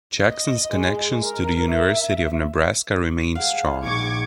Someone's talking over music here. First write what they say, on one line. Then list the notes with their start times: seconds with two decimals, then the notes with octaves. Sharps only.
Jackson's connections to the University of Nebraska remain strong.
0.19 D#5
0.73 G#3
1.24 A#4
1.70 E5
3.35 G#4 F5 F#5
3.83 A#1 D#4 C#6 D6 G#6